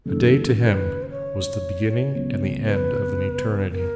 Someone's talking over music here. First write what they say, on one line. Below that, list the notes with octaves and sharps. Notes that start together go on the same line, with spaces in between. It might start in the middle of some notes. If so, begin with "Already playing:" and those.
A day to him was the beginning and the end of an eternity.
F#1 F#2 D#3 A4
B4
C5
C#5
C#2 C#3 F#3 B3
B4
A#4